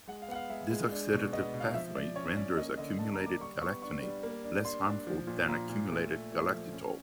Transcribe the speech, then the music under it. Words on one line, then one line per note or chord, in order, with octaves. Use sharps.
This oxidative pathway renders accumulated galactonate less harmful than accumulated galactitol.
G#3 F#5
F5
B3 F#5
F5
G#3 E5
G#3
D4
B2
B3 D#5
B2
F5
F3 E5
F3 D5
C#4 C#5
C#4 D5
A#3 D#5
D3 D#5
D3 A5
A#5
A#3
D6
G3 C#6
B3 C#6
D4 C#6
G3
A#3
D4
D4 C6
D4
F3
A#2
A#2 A#5
A#2
A3
A3
A3
F3
C#4